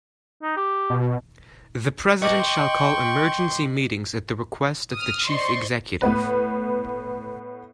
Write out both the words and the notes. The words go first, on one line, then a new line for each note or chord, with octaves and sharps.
The President shall call emergency meetings at the request of the Chief Executive.
D#4
G4
B2
B4 D#5 G5 A5 C#6 D6 F#7
C6
D#6 F6
C5 D5 D#5 C6 C#6
A2 B3 B4